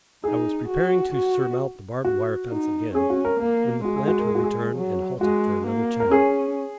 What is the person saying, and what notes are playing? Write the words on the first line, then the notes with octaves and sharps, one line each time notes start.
I was preparing to surmount the barbed-wire fence again, when the planter returned and halted for another chat.
D#4 G#4
F#4
F#4
F#4
D#4
C#4 G#4
F#4
A#4
A#3 A#4
G#3 F#4
G#4
F#4
A#4
G#4
F#4
G#4
F#3
G#3 F#4
A#3
A#4
C#4 G#4